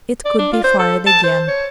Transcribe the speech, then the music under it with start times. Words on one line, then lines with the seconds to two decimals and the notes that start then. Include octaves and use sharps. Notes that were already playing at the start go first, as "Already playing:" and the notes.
It could be fired again.
0.25 D5
0.39 D4
0.52 F4
0.64 C5
0.79 A4
1.06 A5
1.24 C5
1.48 C#5